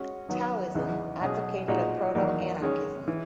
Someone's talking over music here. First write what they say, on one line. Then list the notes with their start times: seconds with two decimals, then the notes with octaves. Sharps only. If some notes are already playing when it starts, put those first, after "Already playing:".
Taoism advocated a proto-anarchism.
Already playing: G#3 C#4 F#4
0.29 D#3 F#3 B3 F#4
0.75 E2 C#3 E3 B3 D#4
1.21 B2 F#3 C#4 G#4
1.68 A#2 G#3 D#4 F#4
2.15 E2 D#3 F#3 A#3 D#4
2.61 D#3 G#3 C#4
3.08 E3